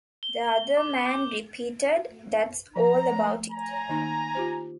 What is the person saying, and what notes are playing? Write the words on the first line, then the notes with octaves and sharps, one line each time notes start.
The other man repeated, "That's all about it."
G7
D6
G6
F3 A#5
A3
G#5 A#5
D#3 A#3 D#4
F4 G4 C5